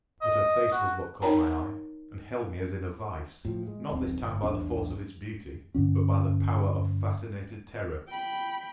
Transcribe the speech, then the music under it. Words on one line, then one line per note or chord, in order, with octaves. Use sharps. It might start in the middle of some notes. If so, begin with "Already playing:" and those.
But her face was what caught my eye, and held me as in a vice, not this time by the force of its beauty, but by the power of fascinated terror.
D#5
F#4
D#4 A#4 C#5 G5 A5 A#5
A2 F3
G#3
D#1 B1 C4
G1
B1 E2 D4
G2 D3 C#4
G5 B5